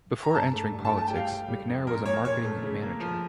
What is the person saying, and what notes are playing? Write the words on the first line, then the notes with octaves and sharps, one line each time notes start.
Before entering politics, McNair was a marketing manager.
A#5
G2 A5
A3
G2
A5
A3
A5
G3 G5
F5
G3 G5
G3
F2
A#2 A#4
A#2 C#5
A#2 C#5
A3
C#3
A#3
F3